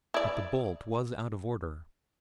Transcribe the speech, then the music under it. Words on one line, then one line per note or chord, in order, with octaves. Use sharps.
But the bolt was out of order.
E4 D5